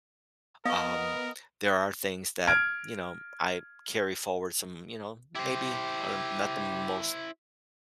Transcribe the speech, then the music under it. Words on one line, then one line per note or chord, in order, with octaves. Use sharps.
um, there are things that, you know, I carry forward some, you know, maybe, uh, not the most
B3 A#4 D#5 F5 C#6
F6 G#6 D7
E4 G4 C5